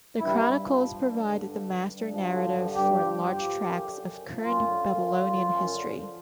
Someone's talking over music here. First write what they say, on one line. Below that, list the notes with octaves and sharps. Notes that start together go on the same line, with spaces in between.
The Chronicles provide the "master narrative" for large tracts of current Babylonian history.
G2 E4
G2
F3
G2
G2
D3
G2
G2
G2
F3
D3
G2
G2 G4
F3
F3
F3
F#2
D3
F#2
F3
F#2 F4
D3
F#2
D3
F3
F#2
D3
F3